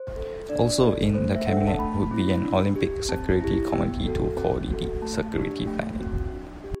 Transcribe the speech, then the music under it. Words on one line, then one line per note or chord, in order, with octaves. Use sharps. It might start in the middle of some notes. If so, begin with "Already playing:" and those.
Also in the Cabinet would be an Olympic Security Committee to co-ordinate security planning.
Already playing: C5
A4
D4 D5
A4
A3 C5
E5
D4 A4 F#5
G5
A5
A3 B5
C4 E4
D4
G4
C4 A5
E4 G4
B3 G5
F#4 A4
C4 G5
F#4 A4
A3 A5
D4 G4
A3 G5
C4 F#4
D4
G4